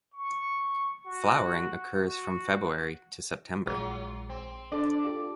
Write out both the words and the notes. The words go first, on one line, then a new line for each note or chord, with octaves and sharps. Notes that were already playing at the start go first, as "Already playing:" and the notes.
Flowering occurs from February to September.
C#6
F#4
F#4
A#1 F#3 G#3 F4
C4
D4 A4 D5
F4 G4 A4